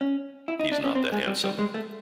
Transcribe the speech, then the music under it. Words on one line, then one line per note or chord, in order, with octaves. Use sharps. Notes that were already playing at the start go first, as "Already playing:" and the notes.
He's not that handsome.
C#4
E4
D#4
D4
C#4
C4
G#3
G3
G3
G#3
A3